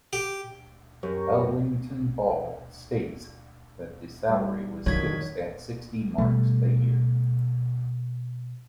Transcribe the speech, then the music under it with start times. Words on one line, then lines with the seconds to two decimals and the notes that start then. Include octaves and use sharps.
Elrington Ball states that the salary was fixed at sixty marks a year.
0.13 G4
1.03 F#2 G4 A#4 C#5
4.28 G3
4.86 F2 D3 D#3 F#3 F4 C#5 G#6 B6
6.18 B2 G3 A3